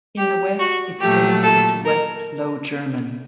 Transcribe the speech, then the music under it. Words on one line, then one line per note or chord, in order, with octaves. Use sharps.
In the West it fades into West Low German.
G4
F#4
A#2 F#3 A3 G4
A4
A#4